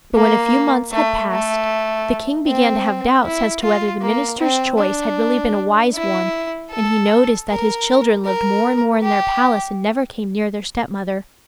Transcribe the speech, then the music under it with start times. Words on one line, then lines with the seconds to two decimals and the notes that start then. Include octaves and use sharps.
But when a few months had passed the king began to have doubts as to whether the minister's choice had really been a wise one, and he noticed that his children lived more and more in their palace and never came near their stepmother.
0.15 A#3
0.93 A3
1.32 A3
2.47 C4
3.24 E4
3.62 F4
4.02 A#3
4.40 C4
4.78 D4
5.95 E4
6.71 A4
7.49 A#4
8.25 A#4
9.03 G4